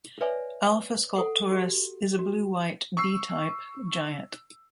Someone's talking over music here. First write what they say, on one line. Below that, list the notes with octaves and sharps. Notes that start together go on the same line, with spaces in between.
Alpha Sculptoris is a blue-white B-type giant.
B4 C#5 D5 E5 G#5
A4 F#5
F#4 G4
F#4
C#6 E6 C7